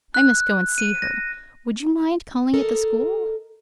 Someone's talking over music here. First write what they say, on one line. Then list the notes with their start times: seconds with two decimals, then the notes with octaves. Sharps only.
I must go and see her; would you mind calling at the school?'
0.14 F#6
0.78 D#7
1.02 A#6
2.54 A4 A#4 D#5